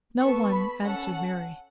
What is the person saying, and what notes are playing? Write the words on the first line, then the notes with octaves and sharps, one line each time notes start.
"No one!" answered Mary.
B3 A4 C#6
B5
C#4 A4 F#5